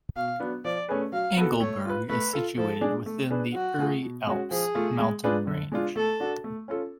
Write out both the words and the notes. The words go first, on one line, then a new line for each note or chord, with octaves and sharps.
Engelberg is situated within the Uri Alps mountain range.
B2 F5
F#3 B3 D4
F3 D5
A3 C#4 G#4 B4
F#3 F5
B3 F#4 A4
A3 C#5
F4 B4
A3 B4
F4 A4
F3 A4
G#3 D4 G#4
A3
D4 G#4 B4
F#3 F#4
A3 F4 G#4
B2
G#3 C#4 F#4
F3 G#4
A3 F4
G#3
D4 F4 G#4 B4
D3
G#3 D4 F4
A3 A4
D4 F#4
A3
C#4 F4 A4